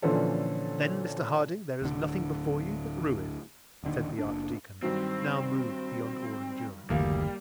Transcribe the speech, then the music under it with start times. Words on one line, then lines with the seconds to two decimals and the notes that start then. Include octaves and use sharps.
"Then, Mr Harding, there is nothing before you but ruin," said the archdeacon, now moved beyond all endurance.
0.02 A#2 D3 E3 F3 C#4 A4
1.82 D1 D3
3.83 D#1 D3 D#3
4.19 F#1 D4
4.82 G2 D#3 F#3 C4
6.90 F#1 D2 D#3 F3 G3 A#3 F5